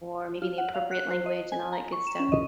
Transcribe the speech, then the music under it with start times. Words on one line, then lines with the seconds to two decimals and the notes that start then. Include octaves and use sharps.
or maybe the appropriate language and all that good stuff,
0.42 F4
0.58 F#5
0.74 F5
0.91 F#6
1.11 C5
1.26 D#5
1.52 G#5
1.73 A#5
1.92 C#6
2.07 E7
2.20 C#4
2.32 D#5